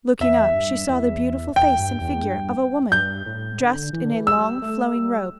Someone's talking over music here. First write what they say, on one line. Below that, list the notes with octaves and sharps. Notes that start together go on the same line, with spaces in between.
Looking up she saw the beautiful face and figure of a woman, dressed in a long flowing robe.
E2 E5
G2
E2
E2 G5
G2
E2
G2
G2 G6
A2
D3
E3
D3
E3
G3 E6
A3
G3